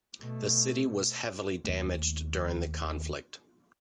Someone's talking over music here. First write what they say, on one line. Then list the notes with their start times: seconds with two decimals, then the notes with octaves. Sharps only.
The city was heavily damaged during the conflict.
0.21 B2 A3
1.65 D#2 A3